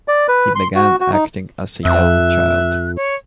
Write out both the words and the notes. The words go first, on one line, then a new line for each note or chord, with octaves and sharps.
He began acting as a young child.
D5
B4
C6
F#4
F#4
D#4
F2 E5 F#6
C#5